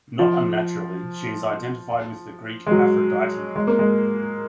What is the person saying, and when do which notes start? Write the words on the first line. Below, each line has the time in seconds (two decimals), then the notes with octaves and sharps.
Not unnaturally she is identified with the Greek Aphrodite.
0.19 F3
2.67 G#3
2.71 F#3
3.56 G#3
3.67 A#3
3.79 G#3